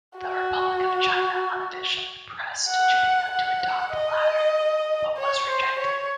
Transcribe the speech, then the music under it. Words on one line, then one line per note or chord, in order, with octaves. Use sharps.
The Republic of China unofficially pressed Japan to adopt the latter but was rejected.
F#4
F#5
F#5
D#5
C#5
C5
C#5